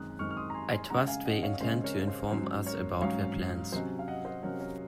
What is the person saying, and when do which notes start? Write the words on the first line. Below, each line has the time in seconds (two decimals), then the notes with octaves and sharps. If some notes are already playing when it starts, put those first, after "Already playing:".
I trust they intend to inform us about their plans.
Already playing: F#2 D#3 G#3 C4 D#6 F#6
0.19 F#2 D#3 G#3 C4 C#6 F6
0.31 F6
0.37 C6 D#6
0.50 A#5
0.54 G#5 C6
0.72 G#5 C6
0.90 C#3 G#3 C#4 F#5 A#5
1.08 F5 G#5
1.25 D#5 F#5
1.43 C#5 F5
1.54 C#5
1.60 C#3 G#3 C#4 C5 D#5
1.84 A#4 C#5
2.08 C5
2.31 G#2 F#3 C#4 C5
2.67 A#4 C#5
3.01 G#2 F#3 C#4 C#5 F5
3.72 C3 F#3 C#4 C5 D#5
3.99 F5
4.08 D#5 F#5
4.25 C5 D#5
4.43 C3 F#3 C#4 A#4 C#5
4.61 A#4 C#5